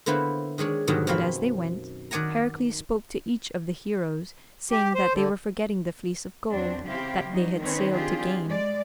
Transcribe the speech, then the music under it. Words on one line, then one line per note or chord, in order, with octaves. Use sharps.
And as they went, Heracles spoke to each of the heroes, saying that they were forgetting the Fleece of Gold that they had sailed to gain.
D3 A#3 B3 E4 B4 C5
D#3 G#3 D4 C#5
G#2 B2 D3 D#3 F#3 G3
F#2 B2 A#3 C4 F5 B5
D#3 D5 F#5 G#5 A#5
G4
C5
D3
E2 F#3 C4 D4
C#3 C4 E4 G4 F5
F#3 G3 D#4
D#3 C4 C#4 D#4 B4 C#5
C4 D4 F4 G4 G#4
G#3 D5